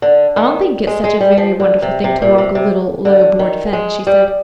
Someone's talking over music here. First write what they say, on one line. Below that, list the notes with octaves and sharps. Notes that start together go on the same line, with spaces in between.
"I don't think it's such a very wonderful thing to walk a little, low, board fence," she said.
D3
D#3
G#3
G#3
G3
F3
D3
C3
C3
A#2
C3
C3
D3
D#3
G#3
G3